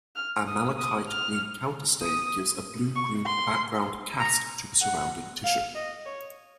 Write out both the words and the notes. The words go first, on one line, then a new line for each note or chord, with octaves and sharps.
A malachite green counterstain gives a blue-green background cast to the surrounding tissue.
F6
D#6
D#6
F6
D#6
C#6
C6
A#5
F#5
F5
D#5
C#5